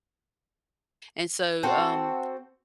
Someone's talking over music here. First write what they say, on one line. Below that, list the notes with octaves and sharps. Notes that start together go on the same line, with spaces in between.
And so, um,
C4 F#4 A4